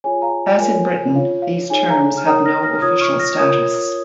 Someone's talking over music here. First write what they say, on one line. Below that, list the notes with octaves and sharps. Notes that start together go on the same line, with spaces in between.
As in Britain, these terms have no official status.
F4 G#4 C#5 G#5
F5 A#5
F4 A#4 C#5 G#5
F4 C#5 F5
F5
D#4 G#4 C#5 G#5
F5 A#5
F6
D#4 A#4 C#5 A#5 D#6
F6 A#6
F6 A#6
F6
F4 C#5 D#6 G#6
C#6 F6
F6 A#6
F4 A#4 C#5 D#6 G#6